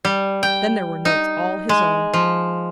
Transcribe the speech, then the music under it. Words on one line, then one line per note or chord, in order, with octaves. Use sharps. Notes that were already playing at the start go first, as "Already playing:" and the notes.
Then there were notes all his own.
G3
G5
D#4
G#3
F3